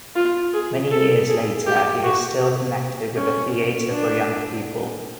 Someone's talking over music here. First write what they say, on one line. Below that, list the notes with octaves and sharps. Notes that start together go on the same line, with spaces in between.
Many years later, he is still connected with the Theatre for Young People.
F4
G#4
A4
G#4
G4
F#4
C#4
D4